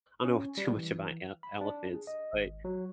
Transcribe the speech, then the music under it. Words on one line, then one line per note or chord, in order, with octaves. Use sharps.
I don't know too much about el elephants, but
C#4
G3
E3
B5
D4
G#4
D#5
G#1
F#3